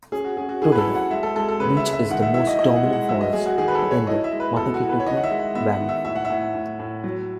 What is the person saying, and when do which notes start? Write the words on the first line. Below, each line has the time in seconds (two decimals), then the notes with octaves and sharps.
Today, beech is the dominant forest in the Matukituki Valley.
0.12 C#4 G#4
0.24 F#4
0.37 C#4 G#4
0.49 F#4
0.62 E4 G#4
0.72 B4
0.78 A4
0.87 F#3
0.95 F#5
1.11 G#3 E5
1.23 A4
1.36 G#3 A4
1.49 A4
1.60 C#3 B4
1.77 E5
1.86 G#3
1.93 E5
2.09 D#3 F#5
2.22 E5
2.34 E4 E5
2.47 D#5
2.59 E4 D#5
2.76 F#5
2.83 G#3
2.93 F#5
3.09 F#3 E5
3.21 D#5
3.33 F#3 G#4
3.46 F#4
3.58 D#3 G#4
3.68 B4
3.75 A4
3.82 F#3
3.91 C#5
4.07 E4 D#5
4.24 E5
4.32 G#3
4.40 B4
4.56 B2 A4
4.74 F#4
4.82 E4
4.89 B4
5.00 C#5
5.06 D#3 D#5
5.17 F#5
5.23 E5
5.30 G#3
5.39 F#5
5.55 B3 E5
5.72 F#5
5.80 D#3
5.89 E5
6.05 A2 E5
6.15 F#5
6.25 A2 E5
6.55 A2
6.79 A2
7.04 F#3